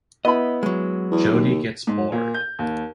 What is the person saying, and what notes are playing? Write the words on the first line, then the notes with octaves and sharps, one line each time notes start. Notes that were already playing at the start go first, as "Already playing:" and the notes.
Jody gets bored.
B3 E4 D#5 B5
F#3 G#3
E2
D#2
G#2
A#2
G6
D#2